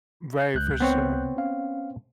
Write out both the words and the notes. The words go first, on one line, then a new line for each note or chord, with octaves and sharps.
Right, for sure.
C#2 F#6 G6
B3 C4 C#5
C#4 F5